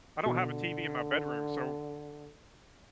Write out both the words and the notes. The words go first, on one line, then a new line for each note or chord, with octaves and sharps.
I don't have a TV in my bedroom, so,
B2 D3